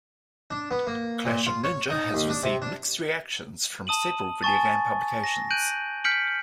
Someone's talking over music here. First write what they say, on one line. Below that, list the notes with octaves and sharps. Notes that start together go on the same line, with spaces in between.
"Clash of Ninja" has received mixed reactions from several video game publications.
D4
B3
A#3
A#2
F4
C#5
D#4
D#2
D4
C3
D4
A5 D#6 D#7 F#7
G#5 A5 C#6 A6
A#6
F#6 G6 D7 D#7 F#7
F6 G6 B6 C#7 D7 F#7